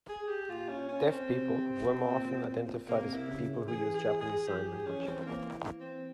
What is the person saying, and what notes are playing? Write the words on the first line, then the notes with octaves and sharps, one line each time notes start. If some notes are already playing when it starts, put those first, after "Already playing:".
"Deaf people" were more often identified as "people who use Japanese sign language".
G#4
G4
A#2 F4
C#4
C#4
C4
C3
A#2
A#2
C3 A#3
E4
C#3
E3 G#4
G#4
G#4
F3 G4
G#4
E3 C#4
C4
A#3
C4